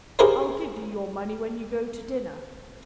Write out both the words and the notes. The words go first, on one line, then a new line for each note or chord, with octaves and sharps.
I'll give you your money when you go to dinner.
E4 G4 G#4 A#4 C5 C#5